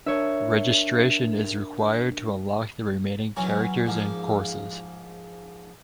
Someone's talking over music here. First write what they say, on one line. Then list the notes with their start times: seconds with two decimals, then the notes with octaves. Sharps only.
Registration is required to unlock the remaining characters and courses.
0.06 D4 A#4 C#5 E5
3.36 E3 F#3 C#4 F#4 A#4
3.87 G#2 F3 A#3